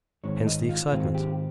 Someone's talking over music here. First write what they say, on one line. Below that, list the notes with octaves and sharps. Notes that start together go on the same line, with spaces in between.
Hence the excitement.
G#2 D#3 G#3 C4 C#5
D#5
F4
G#2 D#3 G#3 C4 F4
G4